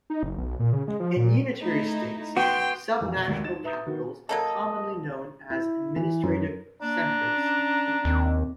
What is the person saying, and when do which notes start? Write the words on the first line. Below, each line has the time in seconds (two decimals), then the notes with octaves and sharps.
In unitary states, subnational capitals are commonly known as "administrative centres".
0.10 D#4
0.23 F#1
0.38 B1
0.60 A#2
0.73 C#3
0.88 G#3
1.00 F3
1.17 A#2
1.60 A3 D#4 E4
2.37 B3 F#4 G5 C6
3.00 F2 E3
3.13 B2
3.27 G#1 D#2
3.44 D#4 F#4 D#5 A6 E7
3.64 B4 E5 A#5 D#6 G6
3.86 D#3 B3 F#4
4.29 F#3 A#3 A4 D#5
5.50 E4
5.96 E3
6.23 F#2
6.82 A#3 D4 A#5
7.36 C#4
8.05 D#2 C4